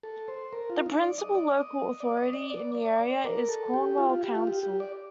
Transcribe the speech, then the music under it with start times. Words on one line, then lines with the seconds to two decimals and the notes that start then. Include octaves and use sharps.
The principal local authority in the area is Cornwall Council.
0.03 A4
0.28 C5
0.53 A#4
0.70 F4
0.86 D#4
1.02 D5
1.19 D#5
1.35 D5
1.51 D#5
2.00 D5
2.17 D#5
2.33 D5
2.50 D5
2.75 D5
3.00 D5
3.24 A#4
3.49 A4
3.74 G4
3.98 F4
4.10 F4
4.23 G4
4.35 F4
4.47 G4
4.63 G4
4.80 D5